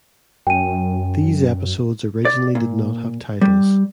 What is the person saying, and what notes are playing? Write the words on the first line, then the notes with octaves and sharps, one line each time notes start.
These episodes originally did not have titles.
F#2 G5 G#5 D#7
D5
A#2
G3